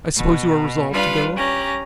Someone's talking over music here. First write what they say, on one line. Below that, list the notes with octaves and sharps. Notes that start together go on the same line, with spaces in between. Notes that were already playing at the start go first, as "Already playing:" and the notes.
I suppose you are resolved to go?
B2
G3 D4 F4 B4 F5
C#4 G4 A#5